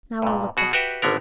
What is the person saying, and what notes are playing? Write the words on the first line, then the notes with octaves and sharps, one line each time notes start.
Now I'll look back.
G2 A#2
B2 F#4 G#4
F#4 G4 B4 E5 G5
G#1 D3 B3 A#4